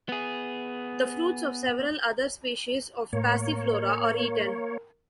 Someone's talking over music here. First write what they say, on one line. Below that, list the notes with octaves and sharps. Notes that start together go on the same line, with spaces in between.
The fruits of several other species of Passiflora are eaten.
B3 G#4
A2 A#3 A#4 C#5